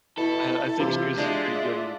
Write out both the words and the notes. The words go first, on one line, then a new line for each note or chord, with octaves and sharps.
I I think she was, uh, pretty good in
B2 E4 A4
C3 E3 F4
G#3 D4 F4 D5 E5